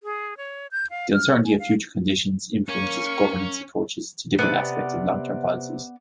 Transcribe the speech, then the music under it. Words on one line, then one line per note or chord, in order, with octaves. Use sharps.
The uncertainty of future conditions influences governance approaches to different aspects of long-term policies.
G#4
C#5
G6
F5
F6
F#4
G#5
F5
A#3 C#4 C#6
C3 B3 D5